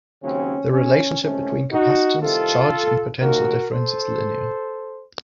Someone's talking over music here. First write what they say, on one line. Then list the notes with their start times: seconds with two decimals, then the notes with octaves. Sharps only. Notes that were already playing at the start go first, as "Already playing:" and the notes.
The relationship between capacitance, charge and potential difference is linear.
0.22 D#2 C#3 F#3 C4 C#4
0.72 C#4
1.21 C#2 C3 D#3 A3 C#4
1.72 D#4 F#4
2.21 C2 C3 D#3 F4 A4
3.20 D#2 D#3 A#3 F#4 A#4
3.70 A4 C5